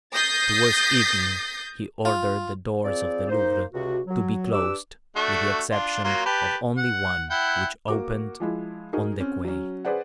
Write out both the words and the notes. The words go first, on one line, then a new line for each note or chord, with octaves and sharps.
Towards evening he ordered the doors of the Louvre to be closed, with the exception of only one, which opened on the quay.
D#6 G6 A6 A#6 C7
F4
F3 C4 G#4 D5
A#3 D#4 C5
C#2 C3 F#4
F#3
D4 G4 B4 D6 E6
A3 D4 F#4
D4 F4
F#3 A#3 F4
G4 B4 A5
F#5
E4 F#5 G5
A#3 F#4 D6
F3 G#3 E4
D#4 F#4 G#4 A#4
C4 C#4
F#3 C#4
G#4 B4 C5 D5 F#5